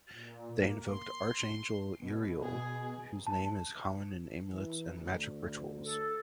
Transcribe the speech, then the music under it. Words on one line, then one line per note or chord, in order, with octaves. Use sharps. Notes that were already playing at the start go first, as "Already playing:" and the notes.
They invoked Archangel Uriel, whose name is common in amulets and magic rituals.
A#2
A#3
C6
B2
G#4
A5
E3
D2
A4